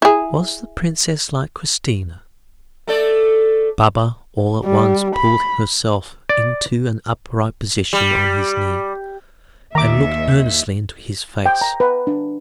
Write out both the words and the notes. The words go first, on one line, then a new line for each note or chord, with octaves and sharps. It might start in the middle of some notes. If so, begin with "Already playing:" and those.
"Was the princess like Christina?" Baba all at once pulled herself into an upright position on his knee, and looked earnestly into his face.
E4 G#4
A3 A4 D5
G3
B5
D5
G3
D#2 D#3 E5 A#5 D6
G5
A#5
B4
D4